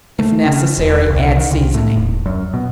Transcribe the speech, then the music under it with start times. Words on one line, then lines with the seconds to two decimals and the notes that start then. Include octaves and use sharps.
If necessary, add seasoning.
0.19 A3
0.46 C#3
0.78 E1
1.10 C2
1.37 D#3
1.51 C2
1.74 A2
1.96 D#1
2.26 F#2
2.54 B2